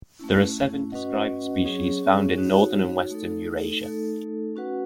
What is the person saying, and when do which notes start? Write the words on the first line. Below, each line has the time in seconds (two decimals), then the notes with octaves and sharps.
There are seven described species found in northern and western Eurasia.
0.19 A3 C#4 E4
0.92 C#4 F#4 B4 D#5 F#5
1.65 F#3 C#4 G#4 C#5
2.38 D#4 F#4 C#5
3.10 A3 D#4 A4
3.83 A3 D#4 A4
4.56 C#4 F#4 B4 F#5